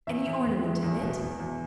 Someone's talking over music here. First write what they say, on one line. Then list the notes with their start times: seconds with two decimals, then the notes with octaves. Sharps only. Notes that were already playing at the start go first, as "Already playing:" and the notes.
"Any ornament in it?"
0.07 E2 E5
0.26 E2
0.45 E2
0.63 G#3
0.83 E2
1.02 B2
1.21 E2
1.40 E2